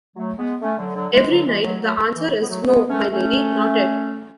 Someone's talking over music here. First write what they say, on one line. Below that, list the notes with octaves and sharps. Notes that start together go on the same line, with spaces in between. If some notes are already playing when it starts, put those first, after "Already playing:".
Every night the answer is, "No, my Lady, not yet."
F#3 A3
G#3 B3
A3 C#4
D3 F#3
D3 F#3
E3 G#3
D3 F#3
E3 G#3
F#3 A3
F#3 A3
E3
B3
F#3 A3
G#3 B3
A3 C#4
A3 C#4